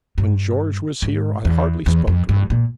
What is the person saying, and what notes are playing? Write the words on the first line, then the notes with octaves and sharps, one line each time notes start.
When George was here, I hardly spoke to him.
G2
G#2
E2
E2
F2
G2
A#2